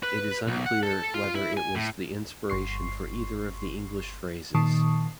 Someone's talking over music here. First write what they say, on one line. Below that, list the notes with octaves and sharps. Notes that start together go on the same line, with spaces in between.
It is unclear whether it was the inspiration for either of the English phrases.
B4
B1
F#5
A4
F4
E4
G#5
A2
G1 C6 C#6 C7
A#2 D#3 A5 C#6 D#6 C7